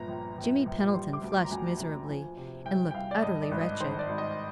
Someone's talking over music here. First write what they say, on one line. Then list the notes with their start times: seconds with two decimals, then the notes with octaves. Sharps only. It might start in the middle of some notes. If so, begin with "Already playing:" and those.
Jimmy Pendleton flushed miserably and looked utterly wretched.
Already playing: G1 A#2 A#5
0.08 A#1
0.38 A#1
0.66 A#1
0.94 G3 C6
1.13 D6
1.22 D2
1.32 D6
1.45 A#5
1.51 D2 G#5
1.80 D2
2.09 F3
2.37 C3
2.65 C2 G5
2.91 G5
2.94 C2 F5
3.11 D5
3.22 G2 D#5
3.42 D5
3.51 G#1
3.61 D#5
3.80 D#3 C5
3.99 D5
4.09 G#1
4.18 D#5